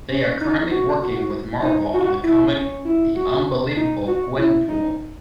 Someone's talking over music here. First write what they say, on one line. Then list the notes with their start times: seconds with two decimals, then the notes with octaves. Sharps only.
They are currently working with Marvel on the comic "The Unbelievable Gwenpool".
0.10 C#4
0.41 D#4
0.71 F#4
1.02 F#4
1.63 D#4
1.93 F#4
2.24 E4
2.54 C#4
2.85 E4
3.16 F#4
3.77 D#4
4.07 F#4
4.38 E4
4.68 D#4